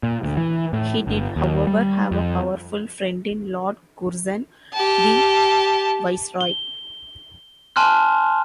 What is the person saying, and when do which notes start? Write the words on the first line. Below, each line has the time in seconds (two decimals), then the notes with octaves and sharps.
He did, however, have a powerful friend in Lord Curzon the Viceroy.
0.03 A#2
0.23 D2
0.37 E3
0.73 A2
1.07 G1
1.36 D#2
1.67 G3
2.11 F2
4.73 G4 A5
6.41 G7
7.76 G#5 A5 C6 F6 F#6